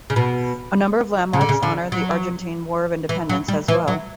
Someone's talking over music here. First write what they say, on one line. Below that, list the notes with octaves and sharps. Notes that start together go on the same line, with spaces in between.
A number of landmarks honor the Argentine War of Independence, as well.
C#3
B2
C#3
D3
C#3
D3
F#3
E3
F#3
G3
E3
F#3